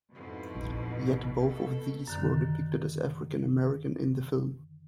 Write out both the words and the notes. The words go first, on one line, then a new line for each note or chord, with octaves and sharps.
Yet both of these were depicted as African American in the film.
F2 G#2 B2 E4
A#1
A4
F#2 D3 D#3